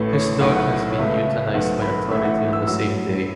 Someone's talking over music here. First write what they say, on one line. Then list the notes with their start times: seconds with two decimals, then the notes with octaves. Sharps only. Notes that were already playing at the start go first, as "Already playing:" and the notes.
His dog has been euthanised by authority on the same day.
Already playing: A1 A2 A3 B4
0.13 C#5
0.41 B1 A2 A3 F#5
0.56 F#5
0.90 C#5
0.98 C#2 B2 A3 E5
1.54 B1 B2 A3 F#5
1.82 B5
2.11 A1 A2 E3 A3 E5
2.24 F#5
2.53 E6
2.67 A2 F#3 E6